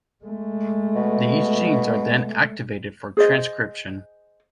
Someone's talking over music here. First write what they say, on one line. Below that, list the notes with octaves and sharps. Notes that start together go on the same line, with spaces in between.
These genes are then activated for transcription.
G#3 A3
B2
G#4 C5 D#5